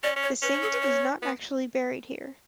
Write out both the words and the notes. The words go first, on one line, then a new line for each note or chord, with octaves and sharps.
The saint is not actually buried here.
C#4 D5
C#4
C#5
C#4 B4
C#5
A4
B4
C#5
B3